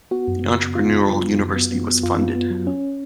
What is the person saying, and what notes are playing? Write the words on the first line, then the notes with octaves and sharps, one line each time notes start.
The Entrepreneurial University was funded.
B3 F#4
F#2
C#3
B3
B3 F4
F#2
F#3
B3
F#2
B3
B3
B3
F#2 F4
B3
B3
F#3
C#4